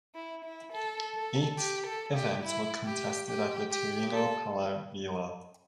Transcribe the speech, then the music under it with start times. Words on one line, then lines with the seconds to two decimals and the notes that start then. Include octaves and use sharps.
Eight events were contested at the Torino Palavela.
0.15 E4
0.44 E4
0.73 A4
1.15 A4
1.58 G4
1.86 A4
2.15 G4
2.43 E4
2.85 G4
3.28 G4
3.71 G4
4.13 A4